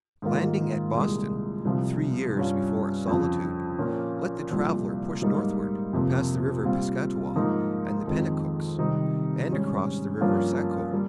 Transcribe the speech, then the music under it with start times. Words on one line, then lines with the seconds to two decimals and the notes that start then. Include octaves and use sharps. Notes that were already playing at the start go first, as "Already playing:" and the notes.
Landing at Boston, three years before a solitude, let the traveller push northward, pass the River Piscataqua and the Penacooks, and cross the River Saco.
0.22 G#2 D#3 A#3 F4
0.94 C2 A#2 G#3
1.65 C2 C3 F3
2.36 G2 G3 C#4 F4
3.08 F2 C#3 F3
3.79 A#2 F3 A#3 C#4
4.50 C2 A#2 F3
5.21 G#2 G3 A#3 D#4
5.93 F2 C3 F3 A#3
6.64 A#2 G3 C4 F4
7.36 G#2 F3 A#3 D#4
8.07 F2 D#3 G#3 C4
8.78 C3 D#3 G3 C4 D#4
9.50 G#2 G3 C#4
10.21 G2 F3 A#3 C#4 F4
10.93 G3 A#3